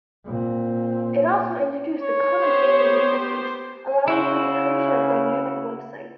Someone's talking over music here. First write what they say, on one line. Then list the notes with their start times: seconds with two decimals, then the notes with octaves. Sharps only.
It also introduced the Common Gateway Interface, allowing for the creation of dynamic websites.
0.25 A#2 C4
2.03 C#5
2.39 B3 G4 C5
4.08 C#3 E4 F#4 C5